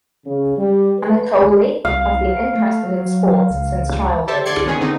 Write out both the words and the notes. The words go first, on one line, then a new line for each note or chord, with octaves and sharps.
Anatoliy has been interested in sports since childhood.
C#3
G3
B4
G#3
C2 F5
A3
F#3
C#2
G4 A4 C5 E5 A5
D3 D5 C6 G#6 C#7
D#3 B3 C#4 G#4
D3 B3 C4 D#4